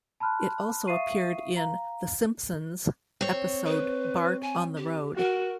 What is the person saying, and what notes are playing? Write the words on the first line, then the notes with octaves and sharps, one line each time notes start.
It also appeared in "The Simpsons" episode Bart on the Road.
A5 B5 C6 F6 F#6
E5 F5 C#6 D#6 C7 D#7
F5 A#5
C4 C#5
B4
G#5
G4
F#4 A#4